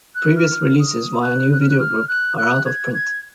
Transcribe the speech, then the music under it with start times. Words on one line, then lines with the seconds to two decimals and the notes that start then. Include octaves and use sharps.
Previous releases via New Video Group are out of print.
0.14 F#6
0.36 F6
0.79 D#6
1.22 F#6
1.50 F#6
1.60 F6
1.69 F#6
1.79 F6
2.07 F#6
2.37 F#6
2.65 G#6
2.93 G#6